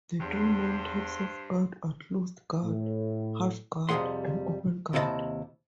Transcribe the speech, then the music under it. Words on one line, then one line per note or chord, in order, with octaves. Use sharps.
The three main types of guard are Closed Guard, Half Guard, and Open Guard.
E2 G2 C5 C6
A2
F2 C3 G3 G#4 F#5 C6
D#2 C3 E4 F4 D#5 A5